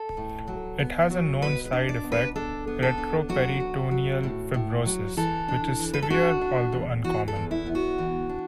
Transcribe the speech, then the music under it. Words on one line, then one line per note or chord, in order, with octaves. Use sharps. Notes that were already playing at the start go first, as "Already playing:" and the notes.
It has a known side effect, retroperitoneal fibrosis, which is severe, although uncommon.
Already playing: A4
A2
F#3
B3
F#3
B2 B4
B4
D4
D5
B2
B4
D4 A4
B3
A4
D4
F#3 F#4
F#3
F#3
A2
A2
F#3
E3 A4
D4
E3
B4
A4
D4 F#4
D4
E2
E3 F#4
A4
E2
E4
B3
F#4
E3
D4